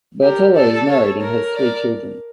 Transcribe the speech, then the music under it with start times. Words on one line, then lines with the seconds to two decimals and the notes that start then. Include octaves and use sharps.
Bartolo is married and has three children.
0.22 G4 A#4
0.55 A4 D5
0.89 C#5
1.21 A#4 C#5
1.55 D5